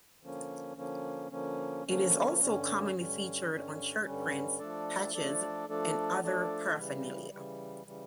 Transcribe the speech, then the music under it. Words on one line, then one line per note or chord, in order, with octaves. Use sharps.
It is also commonly featured on shirt prints, patches and other paraphernalia.
D3 F3 A#3 C#4
D3 F3 A#3 C#4
D3 F3 A#3 C#4
D3 F3 A#3 C#4
G2 D3 G3 C#4
G2 D3 G3 C#4
G2 D3 G3 C#4
G2 D3 G3 C#4
F3 A3 D4 A4 D5
F3 A3 D4 A4 D5
F3 A3 D4 A4 D5
F3 A3 D4 A4 D5
C#3 E3 G3
C#3 E3 G3
C#3 E3 G3